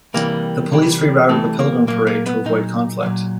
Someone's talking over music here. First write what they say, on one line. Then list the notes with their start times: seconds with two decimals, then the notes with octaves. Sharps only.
The police rerouted the Pilgrim parade to avoid conflict.
0.14 C3 E3 G3 A#3
0.72 C3 E3 G3
1.29 C3 E3 G3 A3
1.59 A#3
1.87 A#2 F#3 A#3
2.07 A#3
2.26 B3
2.45 A#2 F#3 D#4
3.03 A#2 F#3